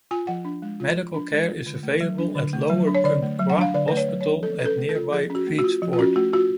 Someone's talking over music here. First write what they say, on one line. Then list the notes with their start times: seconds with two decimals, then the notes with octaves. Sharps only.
Medical care is available at Lower Umpqua Hospital in nearby Reedsport.
0.11 F4 G#5
0.27 F3 F#5
0.45 D4
0.62 G#3
0.80 F4
0.97 F3
1.14 D4
1.32 G#3
1.49 F4
1.66 D3
1.83 A3
2.01 F#3
2.18 D4
2.35 D3
2.53 A3
2.70 F#3
2.87 D4
2.95 C#5
3.04 D3 D5
3.22 A3
3.39 F#3
3.50 F#5
3.57 D4 F5
3.74 D3 D5
3.88 A3 B4
3.97 C#5
4.09 F#3
4.21 D4 C#5
4.43 F3 A4
4.59 C#4 B4
4.66 A4
4.78 A3
4.89 A4
4.95 F4
5.12 F3 G#4
5.30 C#4
5.35 F#4
5.47 A3
5.59 F#4
5.64 F4
5.82 F3
5.93 F4
5.99 C#4 F#4
6.16 A3 F#4
6.33 F4 F#4